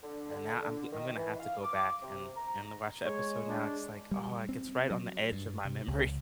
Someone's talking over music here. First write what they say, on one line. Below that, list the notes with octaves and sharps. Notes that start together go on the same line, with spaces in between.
And now I'm g I'm gonna have to go back and and watch a episode now 'cause, like oh, like, it's right on the edge of my memory.
D3
D3
D3
D#3
E3
F5
D6
C3
A#5
G#3 C#5
D4
G3
C4
F#3
G2
C3
C#2